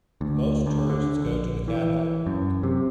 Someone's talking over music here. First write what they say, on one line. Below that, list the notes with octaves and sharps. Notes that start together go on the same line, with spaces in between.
Most tourists go to the capital.
D2
D2
D3
A#1
E3
F#2
C3